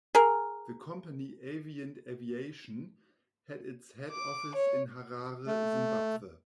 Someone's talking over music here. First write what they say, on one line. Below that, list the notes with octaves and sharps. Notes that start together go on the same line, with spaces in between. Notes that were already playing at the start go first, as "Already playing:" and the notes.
The company Avient Aviation had its head office in Harare, Zimbabwe.
G#4 A#4
D6
C#5
A3